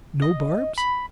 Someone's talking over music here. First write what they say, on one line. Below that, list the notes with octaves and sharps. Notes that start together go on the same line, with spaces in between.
"No barbs?"
D#5
B5